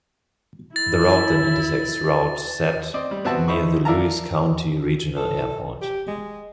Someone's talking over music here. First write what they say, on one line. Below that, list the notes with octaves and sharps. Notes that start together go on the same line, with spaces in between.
The route then intersects Route Z, near the Lewis County Regional Airport.
E4 A6
C4 D5 D#5
G3
B3 C4 F#4 E5 A5
D#4 E4 C5 B5 C#6
A#4 D5 E5 F5 A5 A#5
A4
G4
G#3